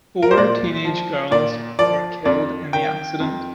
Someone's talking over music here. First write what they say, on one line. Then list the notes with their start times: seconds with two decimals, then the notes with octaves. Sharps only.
Four teenage girls were killed in the accident.
0.22 A#4
0.31 C5
0.37 A#2 D5
0.85 F3
1.31 A#2 D5
1.79 F3 D5
2.25 F2 D5
2.73 D#3 G5
3.20 F2